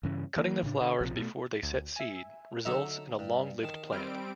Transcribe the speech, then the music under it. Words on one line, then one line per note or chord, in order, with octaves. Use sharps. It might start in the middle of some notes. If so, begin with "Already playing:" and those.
Cutting the flowers before they set seed results in a long-lived plant.
G2 C#3 E3 C#4
E3 A#3
A2 C#3 D4
D3
A#1 C3 F3
B2 A3
D2
E5 G#5
D3 F#3 D#4 A4 E5 A#5
G2
D#3 A5
G3 C4 F6 D7